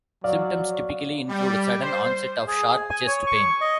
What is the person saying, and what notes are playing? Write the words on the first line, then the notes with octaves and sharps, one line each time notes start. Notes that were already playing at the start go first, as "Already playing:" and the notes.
Symptoms typically include sudden onset of sharp chest pain.
F#3 D5 F5
G3
C5
G#4
G#5
C#5
C#6
D#5